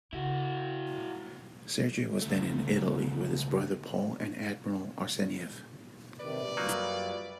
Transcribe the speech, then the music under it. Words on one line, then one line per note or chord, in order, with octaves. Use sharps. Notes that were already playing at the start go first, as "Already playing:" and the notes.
Sergei was then in Italy with his brother Paul and Admiral Arseniev.
C#3 E4 F#4
C#2 A3
C3 D#3 B4 D5
F#2 F#3 G3 A#3 D#4 F4